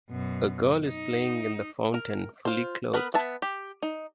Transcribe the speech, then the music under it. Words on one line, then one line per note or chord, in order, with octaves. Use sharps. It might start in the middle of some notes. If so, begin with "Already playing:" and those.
A girl is playing in the fountain fully clothed.
F#2 B2
D#4
A#4
F4 C5
B3 A#4 B4
B3 E5 A5
G4
D#4